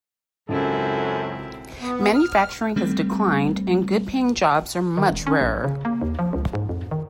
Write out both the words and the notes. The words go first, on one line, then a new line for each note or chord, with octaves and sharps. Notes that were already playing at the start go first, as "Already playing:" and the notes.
Manufacturing has declined and good paying jobs are much rarer.
C#2 F#2 C4 E4 A4
B3
F6
G3 A3 C4
D#3
E1
C#4
A#1
C#3
A#3
D#2
F3
C#2
G#2
F2
D#3